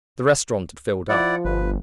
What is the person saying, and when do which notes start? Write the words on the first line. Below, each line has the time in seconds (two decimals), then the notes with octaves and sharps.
The restaurant had filled up.
1.09 F3 E4 D5 F#5
1.45 G1 B4